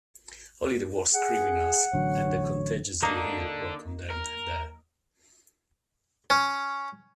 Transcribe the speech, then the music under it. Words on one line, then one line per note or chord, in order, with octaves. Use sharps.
Only the worst criminals and the contagiously ill were condemned there.
G#4 F#5
A1 D3 F#3 C#5
D3 A#3 D4 D#4
A#4
C#4